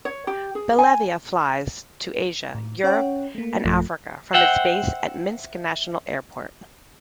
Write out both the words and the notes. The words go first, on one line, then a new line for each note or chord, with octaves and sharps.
Belavia flies to Asia, Europe and Africa from its base at Minsk National Airport.
C#5
G4
G#4
G#5
A2
C#4 C#5 F#5 G5
A3 A#3
A1 F#2 F3 A3
C5 E5 F#5 G5